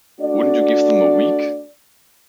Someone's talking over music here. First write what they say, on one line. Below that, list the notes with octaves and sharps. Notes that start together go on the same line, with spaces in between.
Wouldn't you give them a week?
A3 D4 F#4 D5